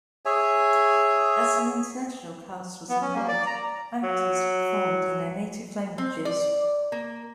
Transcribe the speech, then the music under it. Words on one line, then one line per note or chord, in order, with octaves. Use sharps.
As an international cast was employed, actors performed in their native languages.
G#4 C#5 E5 G#5
B3
C#4
A#3
D5
A#5
F#3
C4
D5
A#3